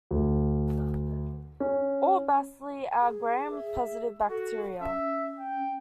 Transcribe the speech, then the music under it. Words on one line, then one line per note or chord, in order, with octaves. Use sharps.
All "Bacilli" are gram-positive bacteria.
D2
C#4
G#4
E5
F#4 A4
C#4 E5
G5